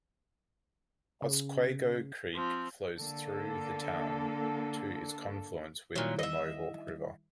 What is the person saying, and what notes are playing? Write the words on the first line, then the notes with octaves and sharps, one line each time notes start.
Otsquago Creek flows through the town to its confluence with the Mohawk River.
C#3
F3 C4
D3 A#3 A4
A#2 D#3 F#3 G3 E4
D#5 E5